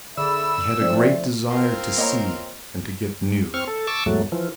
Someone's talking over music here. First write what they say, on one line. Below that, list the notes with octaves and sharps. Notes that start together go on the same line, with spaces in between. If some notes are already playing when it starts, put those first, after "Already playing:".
He had a great desire to see, and to get news.
D3 G#4 D5 E5 B5 E6
F3 A3 C4 D5
C4 F4 A#4
A#3 C#5 D#5 A#5
C4 C#6 F6
A4
A5 C#6 D6 E6
E2 G#2 F#3 A3
E3 F3